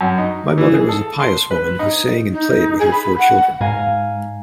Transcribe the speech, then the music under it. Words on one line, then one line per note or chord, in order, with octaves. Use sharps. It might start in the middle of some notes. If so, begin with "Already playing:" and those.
My mother was a pious woman who sang and played with her four children.
F#2
D#4
E3
G#4
A4
C6
B4
D#4
D#4
G#4
B5
F#5
G#2 F5 G#5 A#5